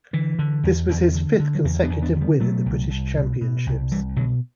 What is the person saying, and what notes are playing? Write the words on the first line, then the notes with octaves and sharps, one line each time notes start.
This was his fifth consecutive win at the British Championships.
D3 E3
D3
E2
E2
D3
D3
F#3
E2 E3
B3 D4
E2
B3 D4
D3
G3 B3
B2 F#3 A3
C2
C2
B2
B2
C2
C2 E3 G3
B2 D3 F#3